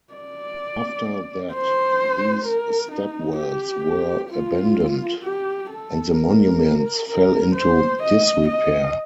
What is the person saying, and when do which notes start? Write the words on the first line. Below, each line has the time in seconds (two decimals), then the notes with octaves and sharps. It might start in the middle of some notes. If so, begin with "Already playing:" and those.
After that, these stepwells were abandoned and the monuments fell into disrepair.
0.13 D5
1.53 C5
2.45 A#4
2.92 D#4
3.38 G4
4.30 F4
5.23 G4
5.70 A4
6.16 A#4
7.08 A#4
7.56 C5
8.02 D#5
8.48 D#5